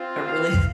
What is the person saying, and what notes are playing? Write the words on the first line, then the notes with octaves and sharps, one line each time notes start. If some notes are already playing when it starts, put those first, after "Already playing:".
a really
Already playing: C4 F4
F5